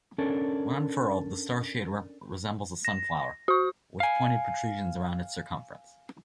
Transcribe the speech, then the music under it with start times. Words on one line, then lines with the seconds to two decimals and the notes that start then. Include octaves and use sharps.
When unfurled, the starshade resembles a sunflower, with pointed protrusions around its circumference.
0.18 C#4 D4 A4 A#4
2.85 A#6
3.48 F#4 C#6
4.00 F5 G#5